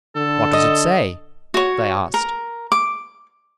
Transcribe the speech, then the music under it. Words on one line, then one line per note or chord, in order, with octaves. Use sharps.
"What does it say?" they asked.
D3 A4
D#5
F#4 C#5
A#4
D6